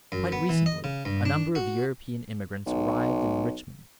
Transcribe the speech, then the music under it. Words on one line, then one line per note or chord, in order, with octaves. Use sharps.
Quite recently a number of European emigrants arrived in Richmond.
F#2
B3
E3
D#5
C#3
G2
D4
F#4
B1